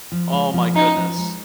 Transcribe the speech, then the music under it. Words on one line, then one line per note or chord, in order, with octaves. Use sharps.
oh my goodness.
F3
G#3
F3
C#4 D#4
F3
G#3